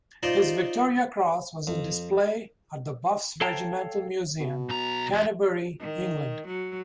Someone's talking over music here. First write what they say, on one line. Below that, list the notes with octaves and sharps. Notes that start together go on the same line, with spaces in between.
His Victoria Cross was on display at The Buffs Regimental Museum, Canterbury, England.
D#4 F4 C5 D5 D#5 C6
F2
A4 C#5 F5 G5 A5 A#5
B2
B1 A#5
E2 G#3
D#3
F#3